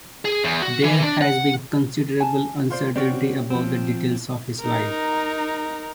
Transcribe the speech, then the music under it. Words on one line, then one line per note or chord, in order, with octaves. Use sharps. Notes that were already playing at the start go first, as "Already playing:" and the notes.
There has been considerable uncertainty about the details of his life.
G#4
E2
F#4
E3
D4
F#5
G#5 A5
F4 C5 D5
C4 C#4 F#4 G4 D5
F3 C4
D#4 A#4